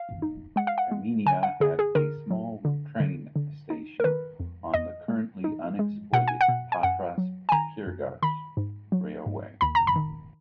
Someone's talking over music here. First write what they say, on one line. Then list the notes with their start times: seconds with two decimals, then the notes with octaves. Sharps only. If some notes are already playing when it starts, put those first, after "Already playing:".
Kaminia had a small train station on the currently unexploited Patras-Pyrgos railway.
Already playing: F5
0.22 D#4
0.56 G#3 F#5
0.67 F5
0.78 F#5
0.91 G#3
1.26 D3 G#5
1.43 F#5
1.60 D3 G#4
1.79 G#4
1.95 D3 A#4
2.30 F#3
2.65 D3
3.00 D3
3.36 D3
3.70 D#4
4.00 A#4
4.04 D#3 B4
4.40 F2
4.74 F2 D#5
5.08 G#3
5.44 D#4
5.79 G#3
6.13 B2 F#5
6.28 G#5
6.41 F#5
6.48 B2
6.72 G#5
6.83 F#2 F#5
7.18 F#3
7.49 G#5
7.52 D#3 A#5
7.87 F#2
8.22 D#3 B5
8.57 G#2
8.92 F#3
9.26 G#2
9.61 D#2 B5
9.75 A#5
9.87 B5
9.96 D#3